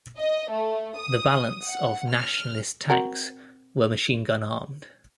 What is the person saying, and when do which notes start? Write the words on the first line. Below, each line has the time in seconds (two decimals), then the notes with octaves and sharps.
The balance of "Nationalist" tanks were machine gun armed.
0.18 D#5
0.50 A3
0.98 D#6
1.65 F#5
2.11 F6
2.90 C4 F#4 A#4